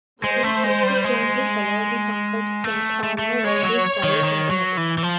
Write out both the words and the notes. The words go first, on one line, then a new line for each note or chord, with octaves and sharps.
He subsequently followed his uncle to Saint-Omer, where he studied mathematics.
G#3 C5
A3
G#3
G3
G#3
A3
A3
A3
G#3 C#5
F#3
D#3
D#3
F#3
E3
E3
F3